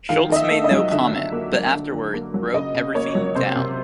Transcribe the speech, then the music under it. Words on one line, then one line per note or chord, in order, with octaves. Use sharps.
Schultz made no comment, but afterward, wrote everything down.
D#3 F5
D#3 D#5
E5
A3
D#5
F#3
D3 E5
D3
A#3
F#3
D3
D3
A#3
F#3
C#3 D#5
C#3
A#3 C#5
F#3
C3 C5
C3